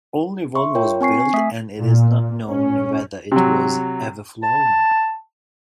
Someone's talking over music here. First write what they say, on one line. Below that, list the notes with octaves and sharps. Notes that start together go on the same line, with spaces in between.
Only one was built and it is not known whether it was ever flown.
E5 C6 C#6
F4 A#4 C#5 G5
C4 G#5 C#6 C7
G#5
A3 E5 D#6 B6
A#2
C#4
C3 F#3
A5